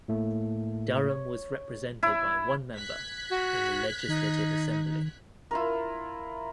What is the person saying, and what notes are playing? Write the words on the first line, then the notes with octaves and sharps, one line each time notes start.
Durham was represented by one member in the Legislative Assembly.
A2 A3 A#3
C#5
E4
F#6 G#6 B6
F#4
D#3 D#4
E4 F4 A#4